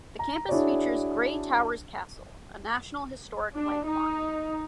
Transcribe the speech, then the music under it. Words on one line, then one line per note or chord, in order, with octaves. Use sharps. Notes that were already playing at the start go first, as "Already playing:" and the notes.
The campus features Grey Towers Castle, a National Historic Landmark.
A#5
D4 E4 F#4 G#4 C#5 D5
D4
D#4